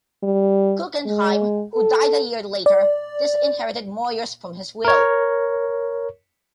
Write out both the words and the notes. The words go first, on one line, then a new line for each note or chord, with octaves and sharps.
Guggenheim, who died a year later, disinherited Moyers from his will.
G3
G#3
A4
D5
A#4 C#5